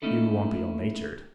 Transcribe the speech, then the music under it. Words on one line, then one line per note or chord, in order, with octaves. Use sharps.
"You won't be ill-natured?"
A3 A#3 C#4 D#4 E4 A4